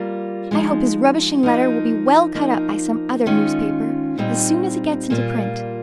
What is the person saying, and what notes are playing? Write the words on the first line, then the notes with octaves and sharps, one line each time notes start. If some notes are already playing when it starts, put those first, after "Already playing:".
I hope his rubbishing letter will be well cut up by some other newspaper as soon as it gets into print!
Already playing: G3 A#3 F4
F3 G#3 D#4
F3 A#3 D#4
F3 A#3 D#4
D#3 G#3 C#4 F4
A#2 G3 C4 D#4
A#2 G3 A#3 F4